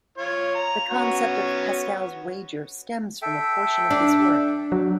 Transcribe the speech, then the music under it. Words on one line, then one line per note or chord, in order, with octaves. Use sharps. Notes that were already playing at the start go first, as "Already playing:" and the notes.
The concept of "Pascal's Wager" stems from a portion of this work.
F4 C#5
A#5
B3 C#4 F#4
A4 E5 G5
D4
F#3